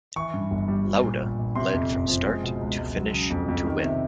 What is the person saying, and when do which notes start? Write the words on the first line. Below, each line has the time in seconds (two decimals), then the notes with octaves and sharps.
Lauda led from start to finish to win.
0.16 E3 C#6
0.34 G2
0.51 G1
0.68 G3
0.86 G3
1.03 A#2
1.21 A#1
1.39 A#1
1.55 C3 C6
1.73 F2
1.91 F#1
2.08 F3
2.26 G#3
2.44 B2
2.61 C#2
2.78 C#2
2.96 F#3
3.13 C#3
3.30 F2
3.49 F2
3.66 D#3
3.84 C3